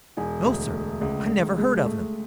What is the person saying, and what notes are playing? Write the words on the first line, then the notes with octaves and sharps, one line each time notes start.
"No, sir; I never heard of them."
E1 G#5
D2
A3
C#2
C#2
G#3
A3